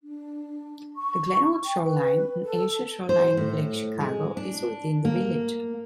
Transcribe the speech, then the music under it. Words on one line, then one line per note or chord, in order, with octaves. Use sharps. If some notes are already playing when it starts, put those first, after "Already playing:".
The Glenwood Shoreline, an ancient shoreline of Lake Chicago, is within the village.
D4
C#6
G5
B4
A4
C5
A2
G#3
D4
A#3